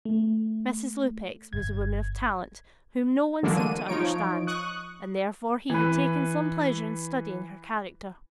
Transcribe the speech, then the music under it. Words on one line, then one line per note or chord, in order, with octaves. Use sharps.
Mrs. Lupex was a woman of talent, whom no one seemed to understand, and, therefore, he had taken some pleasure in studying her character.
A3
G1 G#6
D3 E3 F#3 G#3 A#3 D4
D#7
F3 D#4 C#5 D7
C#6 D#6 F#6
E3 B4